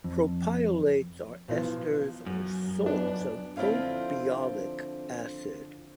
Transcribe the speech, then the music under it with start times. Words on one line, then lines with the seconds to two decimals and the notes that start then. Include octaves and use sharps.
Propiolates are esters or salts of propiolic acid.
0.04 F2
1.48 B1 E3 F3
2.26 F#2
2.86 B3 D4
3.57 D3 F3 C4 E4 F5